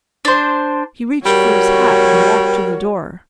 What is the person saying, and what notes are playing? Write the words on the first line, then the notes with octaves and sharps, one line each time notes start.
He reached for his hat and walked to the door.
D4 C5
G3 F#4 A#4 C#5